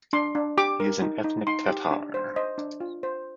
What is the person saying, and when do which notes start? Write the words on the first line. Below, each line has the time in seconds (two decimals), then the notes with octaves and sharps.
He is an ethnic Tatar.
0.13 D4 C6
0.35 D4
0.58 G4 D6
0.80 A#4
1.02 D#4
1.24 D#4
1.47 D#4 C6
1.69 G4
1.91 D4
2.14 C5
2.36 C5 D#5
2.58 D4
2.80 F4
3.03 C5